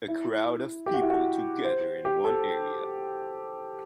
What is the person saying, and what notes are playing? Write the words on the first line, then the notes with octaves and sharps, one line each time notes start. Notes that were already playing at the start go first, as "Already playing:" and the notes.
A crowd of people together in one area.
E4
G4
F#4
E4
F#4
C5
G4
A4